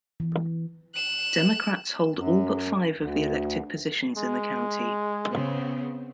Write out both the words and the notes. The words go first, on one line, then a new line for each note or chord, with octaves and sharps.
Democrats hold all but five of the elected positions in the county.
E3
F#6 E7
F#2
D2
G#3
C#3 B3 C4